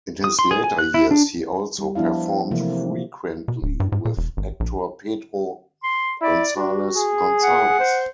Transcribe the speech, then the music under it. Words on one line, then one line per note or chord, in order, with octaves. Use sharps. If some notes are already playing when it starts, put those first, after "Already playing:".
In his later years he also performed frequently with actor Pedro Gonzalez-Gonzalez.
D#6
C6
G#4
G#5
F#6
E4
D4
G3
F3 B3 D4 E4 F5
C3 E3 F3 A3 A#3
B2
D1
G2
G#2
A#2
E1
G#1
A#1
C6
E4 D5
D4 F#4
G#4
F#5
C5